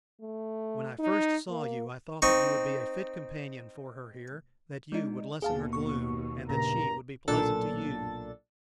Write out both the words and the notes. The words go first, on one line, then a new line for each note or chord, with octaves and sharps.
When I first saw you I thought that you would be a fit companion for her here--that you would lessen her gloom, and that she would be pleasant to you.
A3
D#4
A#3
C4 D#4 C#6
G#3 D4 D#4
D#2 B2 G#4 F5 A5
C#6
G2 A#2 C#3 A#3 A#4 A#5
B1 A#2 D4 A4 A6